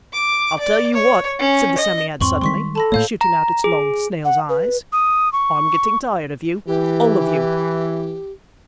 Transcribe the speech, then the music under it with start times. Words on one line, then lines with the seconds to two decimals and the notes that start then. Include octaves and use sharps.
'I'll tell you what,' said the Psammead suddenly, shooting out its long snail's eyes - 'I'm getting tired of you - all of you.
0.13 D6
0.59 D5
0.93 C#5
1.39 C#4
1.78 D#5
2.21 E2 G#2 C4 C6 C#6 F#7
2.41 D#3 G3 G#3 C6 C#6 B6
2.75 A4 A5 B5 A#6
2.92 A2 A3 A#3 C#5 F5 G6
3.21 A#5
3.64 G#4
4.25 F#5
4.49 B4
4.93 D#6
5.33 C#6
6.67 E3 G4